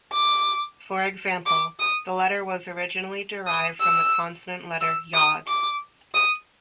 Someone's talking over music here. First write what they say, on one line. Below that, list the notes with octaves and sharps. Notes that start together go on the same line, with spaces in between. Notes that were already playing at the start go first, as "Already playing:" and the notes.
For example, the letter was originally derived from the consonant letter "yod".
D6
D6
D#6
D#6
E6
E6
D#6
D6
D#6